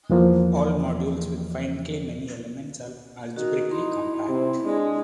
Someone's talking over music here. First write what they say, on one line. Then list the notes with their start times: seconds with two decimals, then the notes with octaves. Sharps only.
All modules with finitely many elements are algebraically compact.
0.10 E2 E3 F3 A#3
3.36 D#3 F#4
3.71 D#4 E4 C6
4.29 C3 C4
4.63 G#3 D4